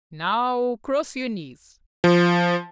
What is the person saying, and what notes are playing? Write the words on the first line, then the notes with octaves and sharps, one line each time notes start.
"Now cross your knees."
F3